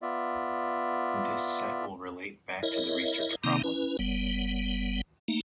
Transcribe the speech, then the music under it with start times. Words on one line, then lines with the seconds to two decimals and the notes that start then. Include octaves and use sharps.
This set will relate back to the research problem.
0.02 B3 F4 D5 E5
2.63 E4 A#4 C#5 D#5 E5
3.44 C3 D#3 A#3 C4 D#4
3.64 C#4 E4 B4
3.99 F#1 G3 B3
5.28 A3 A#3 D#4